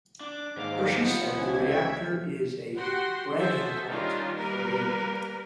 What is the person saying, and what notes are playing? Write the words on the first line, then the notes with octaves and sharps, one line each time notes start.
Hershey said the reactor is a "bragging point" for Reed.
D4 D6
D#2 G#2 F5
B3 F4 C5 A5 C#7
C#2 E4 G#5
A3 E5 G#6
F#4 G4 F#5 C6
F#4 G#4 A4 C5 E5
D#3 G3 C#4 D4 F4
G3 A#3 A#4 B4